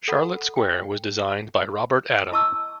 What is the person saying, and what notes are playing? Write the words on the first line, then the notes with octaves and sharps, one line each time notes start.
Charlotte Square was designed by Robert Adam.
A4 F#5 B5
G5
E4 D#5 A5 C#6 D6 E6